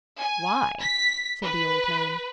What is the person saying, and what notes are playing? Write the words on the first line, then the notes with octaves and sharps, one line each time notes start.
"Why?" said the old man.
G#5
B6
B4